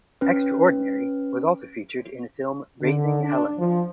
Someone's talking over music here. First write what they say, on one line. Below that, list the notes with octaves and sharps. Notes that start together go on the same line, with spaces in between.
"Extraordinary" was also featured in the film "Raising Helen".
C#4 B4
D3
D4
F3